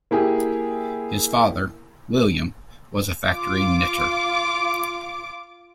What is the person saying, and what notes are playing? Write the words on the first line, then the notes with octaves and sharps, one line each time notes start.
His father, William, was a factory knitter.
A#3 E4 G4 G#4
F4 D6